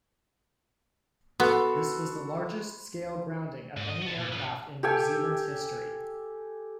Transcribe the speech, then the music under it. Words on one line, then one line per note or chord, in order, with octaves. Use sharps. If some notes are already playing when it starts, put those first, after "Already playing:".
This was the largest-scale grounding of any aircraft in New Zealand's history.
B3 F#4 A4 B5 C6
G#2
D#5
F#4 A5
A#2
C#3 B3
G4 A4 G5 G#5